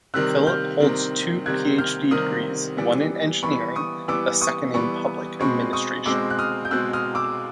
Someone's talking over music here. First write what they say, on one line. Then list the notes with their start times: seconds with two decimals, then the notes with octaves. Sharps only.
Filip holds two PhD degrees, one in engineering, the second in public administration.
0.14 C3 D#3 G3 C4 E6 F#6
0.46 F6 G6
0.80 C3 D#3 G3 C4
1.46 C3 D#3 G3 C4 F#6 G#6
1.78 F6 G6
2.11 C3 D#3 G3 C4 D#6 F6
2.77 E3 G3 B3
3.43 E3 G3 B3 B5 C#6
3.76 C#6 D#6
4.08 E3 G3 B3 D6 E6
4.42 C#6 D#6
4.74 E3 G3 B3 B5 C#6
5.40 B2 G#3 C4 B5 C#6
5.73 C#6 D#6
6.06 B2 G#3 C4 D6 E6
6.30 F#6
6.39 D#6 F6
6.65 G6
6.71 B2 G#3 C4 E6 F#6
6.93 D#6 F6
7.15 D6 E6